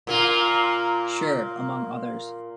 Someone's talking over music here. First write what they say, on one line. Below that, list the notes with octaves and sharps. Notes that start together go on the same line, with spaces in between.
Sure!, among others.
A#2 A#3 F4